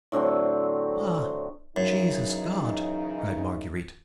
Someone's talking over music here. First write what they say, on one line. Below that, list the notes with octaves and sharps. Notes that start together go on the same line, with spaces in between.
"Ah! Jesus God!" cried Marguerite.
A2 D3 F#3 C4
F#2 C#3 E3 D#4